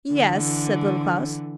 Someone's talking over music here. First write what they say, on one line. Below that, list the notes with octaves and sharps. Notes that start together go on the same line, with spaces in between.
'Yes,' said Little Klaus.
D3 E3